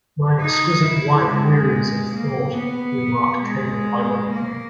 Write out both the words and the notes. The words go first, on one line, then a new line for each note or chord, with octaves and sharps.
"My exquisite wife wearies of thought," remarked Caleb ironically.
D#4
E4
G#3
A#3
B3
G#3
A#3